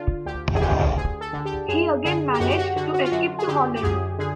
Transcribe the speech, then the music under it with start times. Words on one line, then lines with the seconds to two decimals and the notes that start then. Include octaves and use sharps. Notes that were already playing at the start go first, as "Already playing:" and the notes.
He again managed to escape to Holland.
Already playing: D3 F4
0.26 D2 G4
0.55 G#4
0.61 D3 G4
0.97 D2 G#4
1.21 A4
1.33 D3
1.46 G4
1.69 F#2 G#4
2.05 D3 G#4
2.34 G4
2.40 F#2 F#4
2.50 G4
2.58 F#4
2.76 D3 F#4
2.94 F#4
3.04 F4
3.12 F#2 F#4
3.39 G#4
3.48 D3 G4
3.76 G4
3.83 F#2 G#4
4.19 D3 G#4